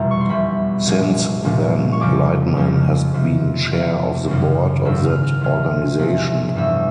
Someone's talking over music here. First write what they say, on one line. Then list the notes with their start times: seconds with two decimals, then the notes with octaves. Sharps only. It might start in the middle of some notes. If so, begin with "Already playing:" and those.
Since then, Lightman has been chair of the board of that organization.
Already playing: F1 E2 B2 G3 A#5
0.11 C#6
0.21 C6
0.29 F1 E2 B2 G3 B5
0.87 C2 A#2 F3 G#3
1.43 C2 A#2 F3 G#3
1.92 C#6
2.00 F2 C#3 F3 G#3 D6
2.57 F2 C#3 F3 G#3
3.14 F2 C3 F3
3.71 F2 C3 F3
4.28 G#1 F#2 C#3
4.85 G#1 F#2 C#3 E6
5.04 F6
5.23 F6
5.41 E2 C3 F3 G#3 F6
5.99 E2 C3 F3 G#3
6.55 A1 G2 E3 G3 E6